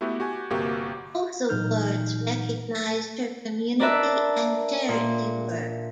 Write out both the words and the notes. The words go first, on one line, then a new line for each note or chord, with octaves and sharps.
Both awards recognised her community and charity work.
A3 B3 E4 F#4 G4
F#4 G4 G#5
G1 C3 A#3 F#4 G4 F5
A#2 E3 F#3 D#4 F6 G6
D4 A#4 B4 D5 E5
A#2